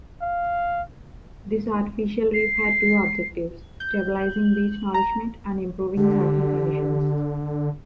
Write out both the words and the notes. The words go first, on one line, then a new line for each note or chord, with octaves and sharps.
This artificial reef had two objectives: stabilizing beach nourishment and improving surfing conditions.
F5
C7
G6
A#5
D3 G4